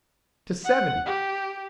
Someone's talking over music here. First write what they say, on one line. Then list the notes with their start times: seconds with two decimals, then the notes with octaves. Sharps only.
To seventy!
0.64 F#5
1.06 G4